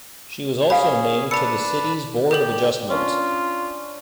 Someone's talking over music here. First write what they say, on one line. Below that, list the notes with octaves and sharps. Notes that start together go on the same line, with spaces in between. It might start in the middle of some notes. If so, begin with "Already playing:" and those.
She was also named to the City's Board of Adjustment.
C#4 G#4 C#5 F5 B5
D4 B4 C5 A5 B5 E6 C#7
G4 A4 D5 G5 G6 F#7
C#4 D4 F4